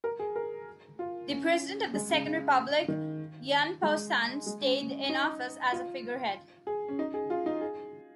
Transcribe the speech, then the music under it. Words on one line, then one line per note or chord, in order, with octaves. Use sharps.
The president of the Second Republic, Yun Po-sun, stayed in office as a figurehead.
A#4
G#4
A#4
F4
C#4
G#3
C#3
C#3
D#3
G#3
G#3
C#4
C#4
D#4
F4
G#4
C#4
D#4
G#4
F4
D#4
G#4